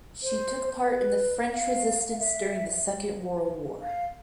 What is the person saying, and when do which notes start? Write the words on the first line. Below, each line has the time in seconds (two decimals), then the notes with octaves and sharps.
She took part in the French Resistance during the Second World War.
0.23 C5
0.88 B4
1.53 F5
2.11 F5
2.19 E5
3.82 F5